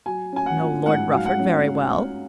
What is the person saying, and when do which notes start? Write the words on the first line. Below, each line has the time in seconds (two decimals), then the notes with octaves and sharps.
"Know Lord Rufford very well!"
0.06 F#3 G#5
0.33 C#4 G#5
0.46 F#5
0.59 F4
0.86 G#2 F#5
1.13 F#3 F5
1.26 F#5
1.39 C#4